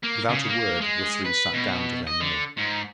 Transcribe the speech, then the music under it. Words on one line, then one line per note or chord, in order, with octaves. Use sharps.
Without a word the three sat down to their meal.
A#3
C#3
A#3
G#3
B4
B2
D#5
D3
G#2